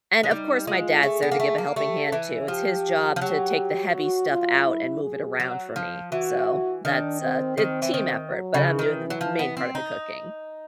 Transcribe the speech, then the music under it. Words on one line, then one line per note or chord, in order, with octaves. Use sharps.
and, of course, my dad's there to give a helping hand too, it's his job to take the heavy stuff out and move it around for me. So, that's a a team effort, but I'm doing the m main part of the cooking.
G#3
G3 D#4
G#3 F4
A3 G#4
B3
A#3
A3
A#3
A3 G4
E3
F3 G4
F3
F#3 G4
F#4
F4
E4
G#4
F#3
F3
E3 F#4
D#3 D4
C4
D#3 C4
E3
D#3
F#3
C#3
E3
D#3
F#3
F3
B3
C4
D#4